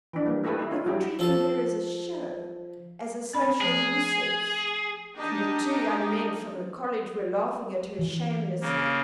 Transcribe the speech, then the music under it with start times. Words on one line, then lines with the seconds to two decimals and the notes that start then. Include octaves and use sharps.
They were treating her as a show, as a social resource, and the two young men from the College were laughing at her shamelessly.
0.13 E3 D4
0.26 G3 A#3
0.44 A3 E4 G4 A4 B4
0.59 D#4 E4
0.71 C#4 F4
0.86 F#3 G3 E4 G4
1.19 F3 A4 A5
3.33 C4 B5
3.61 F3 A3 C4 G#4
5.15 D4 D#4 G4 A#4 D#5
7.99 E3
8.61 C#3 A#3